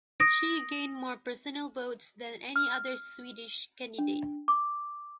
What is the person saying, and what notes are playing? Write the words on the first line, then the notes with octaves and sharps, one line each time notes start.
She gained more personal votes than any other Swedish candidate.
D#6 A#6 D7
F6
D4
D6